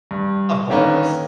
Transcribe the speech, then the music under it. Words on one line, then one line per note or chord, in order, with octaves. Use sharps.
Of course.
G2
D3 D#3 A#3 C#4 D#4 B4